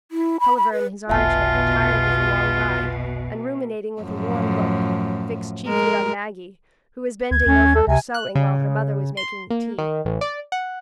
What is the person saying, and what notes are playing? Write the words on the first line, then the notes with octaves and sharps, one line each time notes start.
Tulliver in his arm-chair, tired with a long ride, and ruminating with a worn look, fixed chiefly on Maggie, who was bending over her sewing while her mother was making the tea.
E4
B5
B5
B4
F1 B1 B2 F4 E5 G#5 A5
F#2 A2 F3
G#3 A#4
D2 G#6
D#2 C#4
A4
C#2 C3 G#5
F#6
C#3
C6
A#3
D#3
A1
D5
F#5